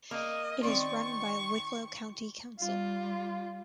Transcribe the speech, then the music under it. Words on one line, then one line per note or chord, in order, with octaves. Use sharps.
It is run by Wicklow County Council.
A#3 D#5
D#3 C4 D5 C#6
G3 F4